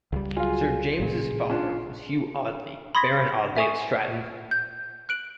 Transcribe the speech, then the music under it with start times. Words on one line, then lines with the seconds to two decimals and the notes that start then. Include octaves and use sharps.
Sir James's father was Hugh Audley Baron Audley of Stratton.
0.12 C#2 G3
0.36 F#3 F4 F#4 G#4 F5 G#5
1.00 A1 A#2 C#3 G#4
1.50 C#4 D4 F4 C6
2.95 B5 C6 D#6 G#6 A#6 B6
3.57 E5 G#5 C#6 D#6
4.51 G6
5.09 F#6 D7 F#7